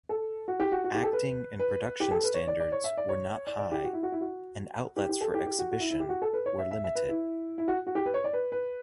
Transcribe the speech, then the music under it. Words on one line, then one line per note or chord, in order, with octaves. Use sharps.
Acting and production standards were not high and outlets for exhibition were limited.
A4
F#4
G4
F#4
F#4
G4
A4
B4
B4
G4
A4
B4
C#5
D5
D5
C#5
E5
D5
C#5
D5
D5
G4
F#4
E4
F#4
E4
F#4
G4
G4
A4
G4
G4
F#4
F#4
E4
E4
G4
F#4
A4
B4
C#5
E5
E5
E5
B4
E4
E4
F#4
F#4
G4
B4
C#5
D5
B4
B4